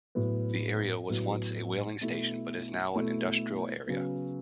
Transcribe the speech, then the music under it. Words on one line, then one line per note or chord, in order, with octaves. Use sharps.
The area was once a whaling station, but is now an industrial area.
A2 F#3 B3
A2 F#3 B3
B2 A3 E4
B2 A3 E4
C#3 F#3 B3